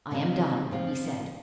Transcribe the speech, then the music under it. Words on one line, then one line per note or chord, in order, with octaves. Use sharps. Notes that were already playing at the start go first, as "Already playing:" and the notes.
"I am dumb," he said.
C3 D#3 A#3 G#4
F3 C4 F4